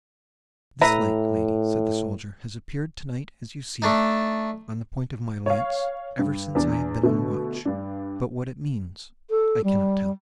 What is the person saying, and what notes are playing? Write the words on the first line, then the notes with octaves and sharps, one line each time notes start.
'This light, lady,' said the soldier, 'has appeared to-night as you see it, on the point of my lance, ever since I have been on watch; but what it means I cannot tell.'
A2 B4 E5 A#5
A3 D4 D#4
C#5 F5
G2
E2 D4
B2 D3 A3
G2 D4
A4
G3